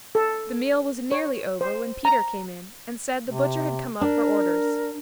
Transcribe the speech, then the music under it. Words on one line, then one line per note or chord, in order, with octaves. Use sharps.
The meal was nearly over, when Peter came in, and said the butcher had come up for orders.
A4
C#5
C5
A#5
C3
D4 A#4